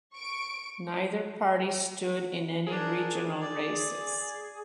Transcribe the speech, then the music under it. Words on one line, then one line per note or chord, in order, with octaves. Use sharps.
Neither party stood in any regional races.
C#6 D7
D4 G#4 A#4
D5